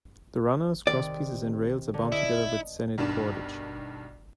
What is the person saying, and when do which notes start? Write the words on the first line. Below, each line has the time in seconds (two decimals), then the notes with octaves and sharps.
The runners, crosspieces, and rails are bound together with sennit cordage.
0.87 C3 D#3 D5
1.94 D3
2.12 E4 D#5
2.98 B1 G2 D#3 D4 E7